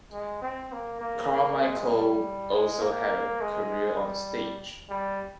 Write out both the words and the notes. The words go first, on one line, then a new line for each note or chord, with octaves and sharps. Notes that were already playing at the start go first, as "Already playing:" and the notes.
Carmichael also had a career on stage.
G#3
C4
A#3
A#3
G#3
G3
G#3
A#3
G#3
G3
G3